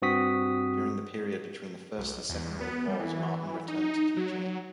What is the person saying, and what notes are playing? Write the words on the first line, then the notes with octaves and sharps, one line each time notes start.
During the period between the First and Second World Wars Martin returned to teaching.
G2 C4 F#4 D#6 B6
B1
E2
B3
G3
E3
D#4
F#3